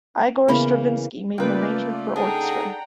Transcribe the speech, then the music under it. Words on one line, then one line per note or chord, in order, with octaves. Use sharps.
Igor Stravinsky made an arrangement for orchestra.
C#3 E3 A#3 B3 B5
C#3 A3 A#3 F4 B4 D5 G5
D4 D#4 G#4 A4 F#5 G5 A#5